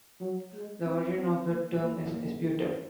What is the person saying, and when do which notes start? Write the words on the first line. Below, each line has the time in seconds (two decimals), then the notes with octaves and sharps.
The origin of the term is disputed.
0.20 F#3
0.54 G#3
0.85 C4
1.18 C4
1.49 A#3
1.82 A#3
2.13 A#3